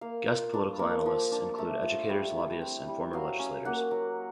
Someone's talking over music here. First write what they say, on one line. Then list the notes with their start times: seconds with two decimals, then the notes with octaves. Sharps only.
Guest political analysts include educators, lobbyists, and former legislators.
0.01 A#3 F5
0.27 F4
0.54 D4
0.79 A#3
1.06 F3
1.32 D4
1.58 A3
1.83 F4
2.09 G3 E5
2.35 E4
2.61 C4
2.88 G3
3.13 F#3 F5
3.39 C#4
3.65 A#3 F#5
3.91 F#3